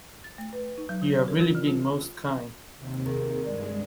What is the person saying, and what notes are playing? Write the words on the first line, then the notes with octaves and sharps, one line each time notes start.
You have really been most kind.
A6
A3
B4
D#4
F#3
D3
C#5
A#4
F4
E3
F4
D#2 C3
D#3 G#4
G2 G#3 D5